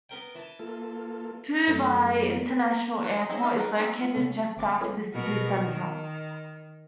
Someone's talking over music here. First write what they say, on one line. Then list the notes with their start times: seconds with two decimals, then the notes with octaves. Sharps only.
Phu Bai International Airport is located just south of the city centre.
0.09 B3 A#4 G5
0.35 E3 A5
0.59 A#3 F4 A4
1.67 F#2 A3 C4 D4 A#4
2.47 B4
3.03 E3 B4 C5 D5
3.17 F#3 D4 D#5
3.29 G#3 C4 C#4 D#4 E4
3.43 D#4 E5 F5 A5
3.57 D#3 A#4 B4 F#5
3.79 A#3 C4 G#4 D5 E5
3.98 G#3 F4 F5
4.14 C3 G#3 A#3 C#4 A4
4.57 G1 C4 D6
4.80 F4 G#4 A4 B4 C#5 D#5
5.13 B2 F#4 A#4
5.68 D#3